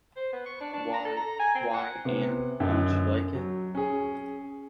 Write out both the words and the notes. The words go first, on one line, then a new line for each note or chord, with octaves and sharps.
Why — why — Anne, don’t you like it?
C5
B3
C#6
D4
D4
A#5
A4
A#5
G#5
C4
F#5
C3 B3
F#2 D3 D#3 D4 D#4
F#3
C#4 G#4